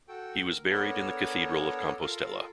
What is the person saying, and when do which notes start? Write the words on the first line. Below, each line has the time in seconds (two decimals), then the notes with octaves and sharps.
He was buried in the cathedral of Compostela.
0.08 F#4 A4 G5
0.46 A#4
0.71 B3 D4 A4 A#4 C#5
2.01 F4 A4 A#4